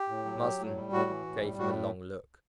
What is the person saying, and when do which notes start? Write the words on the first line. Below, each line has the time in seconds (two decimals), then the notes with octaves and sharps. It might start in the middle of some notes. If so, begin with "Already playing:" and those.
Marsden gave him a long look.
Already playing: G4
0.08 A2
0.25 F#3
0.42 F#3
0.59 A2
0.76 G3
0.92 A2 F#4
1.10 E3
1.26 A2
1.42 G3
1.59 A2 F#4